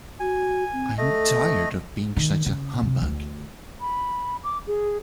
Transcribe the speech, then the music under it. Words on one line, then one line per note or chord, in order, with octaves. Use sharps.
I am tired of being such a humbug.
F#4 G#5
C4
A3 A4 D#5
D#3
C#3
C3
D2
B5
D6
G#4